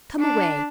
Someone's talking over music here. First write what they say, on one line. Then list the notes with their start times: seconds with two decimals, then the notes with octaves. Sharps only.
Come away.
0.19 D4